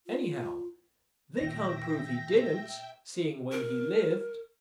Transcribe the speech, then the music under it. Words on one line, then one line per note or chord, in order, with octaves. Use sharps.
Anyhow, they can't prove he didn't, seeing when he lived.
F4
E2 A#2 D#3 E5 G5 A#6
A#4